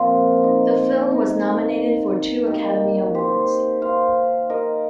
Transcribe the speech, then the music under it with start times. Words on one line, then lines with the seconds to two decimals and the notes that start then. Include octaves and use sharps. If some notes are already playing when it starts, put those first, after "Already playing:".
The film was nominated for two Academy Awards.
Already playing: A#2 F3 A#3 C4 F4
0.43 D#4
1.11 D#4
2.47 D#3 A#3 D#4 G4
3.15 G4 C5
3.82 C5 F5
4.50 A#4 D#5